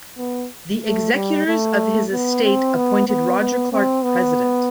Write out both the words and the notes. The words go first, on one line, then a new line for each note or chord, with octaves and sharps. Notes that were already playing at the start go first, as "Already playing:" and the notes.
The executors of his estate appointed Roger Clark president.
B3
A3
G3
A3
B3
C4
B3
B3
B3
C4
B3